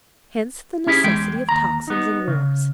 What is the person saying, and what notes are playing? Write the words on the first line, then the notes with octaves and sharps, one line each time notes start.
Hence the necessity of tocsins and wars.
C#4 E4 G4 G#4
E2 G#3 G5
D#2 A#5
B3 D#4
C#3